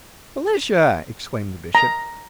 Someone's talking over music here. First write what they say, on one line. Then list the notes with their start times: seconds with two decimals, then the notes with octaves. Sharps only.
"Felicia!" exclaimed the Bishop.
1.75 A#5